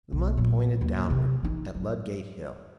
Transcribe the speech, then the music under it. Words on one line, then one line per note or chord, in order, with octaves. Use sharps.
The monk pointed downward at Ludgate Hill.
B1
A#2 F#3
D#2 F#3
C3
E3 D#4
F#3